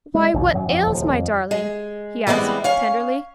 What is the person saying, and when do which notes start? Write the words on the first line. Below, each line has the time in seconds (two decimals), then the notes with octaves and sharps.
"Why! what ails my darling?" he asked tenderly.
0.14 G#3
0.34 A#1 D#2 B2
0.54 F#2 F#3
0.69 F2 F3
0.87 D#1 D2 E3 F3
1.14 F2
1.51 G#3
2.27 E3 G3 G#3 B3 C4 E4
2.64 C#4 F5 G#5